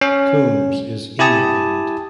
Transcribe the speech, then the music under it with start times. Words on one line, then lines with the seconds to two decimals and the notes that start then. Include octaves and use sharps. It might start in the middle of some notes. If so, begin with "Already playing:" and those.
Coombes is inland.
0.01 C#4
1.19 E4 G4 G#5 A5 D#6